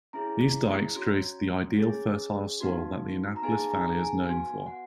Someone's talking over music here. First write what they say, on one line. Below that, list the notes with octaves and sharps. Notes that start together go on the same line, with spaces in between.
These dykes created the ideal fertile soil that the Annapolis Valley is known for.
C#4 E4 G#4 A#5
C#4 F#4
C#4 G#4
B3 D#4 F#4
A#5
B3 D#4 G#4 G#5
A#5
G#5
B3 F#4 G#5
F#5